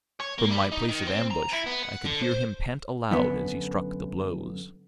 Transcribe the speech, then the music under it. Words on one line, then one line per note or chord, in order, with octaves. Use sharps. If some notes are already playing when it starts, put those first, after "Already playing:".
From my place of ambush, I could hear him pant aloud as he struck the blows.
C#5
A#3
G3
D#4
D#3
C4
A#5
E4
B3
F#5
D3
C5
F#2 D3 B3